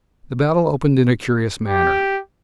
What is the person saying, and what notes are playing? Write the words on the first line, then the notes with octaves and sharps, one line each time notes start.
The battle opened in a curious manner.
G4